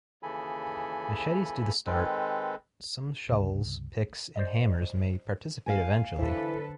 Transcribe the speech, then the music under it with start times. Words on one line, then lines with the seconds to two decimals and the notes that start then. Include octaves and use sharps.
Machetes do the start, some shovels, picks and hammers may participate eventually.
0.23 D#2 C#3 E3 A4 G#5 B5
1.86 D#3 G#3 C4 A4 B4
3.30 C#2 G2 C3
4.36 C5 D5 D#5
5.66 F5 G#5
6.18 D3 E3 A4 B4 C5